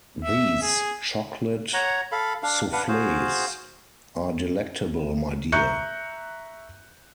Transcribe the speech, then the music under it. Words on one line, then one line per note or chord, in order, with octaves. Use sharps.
These chocolate soufflés are delectable, my dear.
E5
G#4
C#5 F#5 A#5
A4 F5 B5
D4 F5
D4 B4 F5 F#5
F#4 G#4 C5 F5
E5 A#5 C#6 F#6 G6 C#7